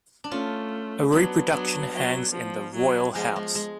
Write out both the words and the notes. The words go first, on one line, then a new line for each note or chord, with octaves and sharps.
A reproduction hangs in the Royall House.
D4
A3 C#4 F4
F#3 B3 D4
F#3 B3 D4
F#3
F3
F#3
F3 G#3
G#3
G#3